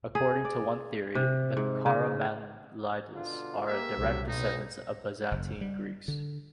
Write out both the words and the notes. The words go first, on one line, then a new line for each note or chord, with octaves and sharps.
According to one theory the Karamanlides are the direct descendants of Byzantine Greeks.
G#4
D5
C3
G#2
C#3
B2 D3 F4
A#3 G4 E5
C2 B2 D3 F3 F#3 G4
B1 B2 D#4
F#1
G3
D3